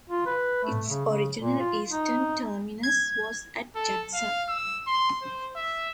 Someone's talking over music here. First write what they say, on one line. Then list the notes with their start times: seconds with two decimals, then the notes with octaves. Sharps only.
Its original eastern terminus was at Jackson.
0.10 F4
0.26 B4
0.64 A3
0.88 C#3
1.06 C#3
1.40 A#2
1.59 F4
1.91 D#4
2.83 G#6
3.75 A4
4.14 F5
4.49 E6
4.87 C6
5.22 C5
5.56 E5